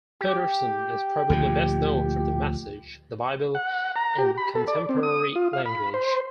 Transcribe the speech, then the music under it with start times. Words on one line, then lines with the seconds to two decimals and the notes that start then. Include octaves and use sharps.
Peterson is probably best known for The Message: The Bible in Contemporary Language.
0.21 G4
1.30 D2 A#2 F3
3.55 F#5
3.96 A#5
4.18 G4
4.38 B5
4.55 A4
4.68 D5
4.89 C4
5.03 D#6
5.36 F4
5.53 F5
5.66 B5
5.94 C5